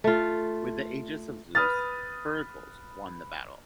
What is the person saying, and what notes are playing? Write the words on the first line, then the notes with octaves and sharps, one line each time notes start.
With the aegis of Zeus, Heracles won the battle.
A3 F4
B4 D#6 F6 A6